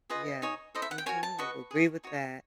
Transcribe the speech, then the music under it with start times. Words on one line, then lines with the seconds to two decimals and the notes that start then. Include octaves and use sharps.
Yeah. Mhm, I would agree with that.
0.10 F4 G#4 B4 D#5
0.42 D#4 G#4 C#5
0.75 E4 A4 C5 D#5
0.82 E5
0.91 F#5
0.98 G5
1.06 F#4 A#4 C#5 G#5
1.23 A5
1.38 F#4 B4 D#5 C#6
1.71 G#4 C#5
2.04 D#4 F#4 C#5